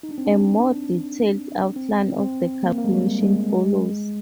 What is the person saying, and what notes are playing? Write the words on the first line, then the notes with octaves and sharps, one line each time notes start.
A more detailed outline of the calculation follows.
D#4
D4
C4
D4
C4
C4
A#3
A#3
G#3
G3
G#3
G#3